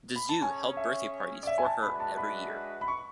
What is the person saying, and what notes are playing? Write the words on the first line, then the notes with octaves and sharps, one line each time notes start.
The Zoo held birthday parties for her every year.
B5
A5
C#4 G#4 C#5 G#5
E5
D5
E5
G#5
A5
G#3 D4 F#4 B4 E5 B5
A5
B5
B5
C#6